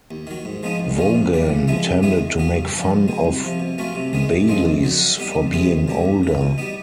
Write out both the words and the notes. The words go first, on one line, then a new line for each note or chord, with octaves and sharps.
Vaughan tended to make fun of Baylis for being older.
D#2
D#3 F#3
G#2
F3 G#3 B3 D#4
C#2
C#3 F3 G#3 C#4
A2
E3 G3 A#3
C#3
F3 G#3 B3 E4
C3
D#3 G#3 B3 E4
E2
C#3 F#3 B3
G2
D3 F3
C#2
B2 G#3
C2
C3 F3
B2
F#3 A3 C#4 F4
C3
D#3 G#3 B3
C3
F3 G#3 C4 D#4
F#2
D3 F#3
D3
G3 B3 D#4
F2
C3 D#3 G#3 B3
D2
D3 G3
E2
C#3 E3
B2
G3 B3 D#4